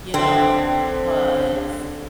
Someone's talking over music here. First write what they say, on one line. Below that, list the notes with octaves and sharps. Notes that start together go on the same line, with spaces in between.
You know, because,
B1 D3 C4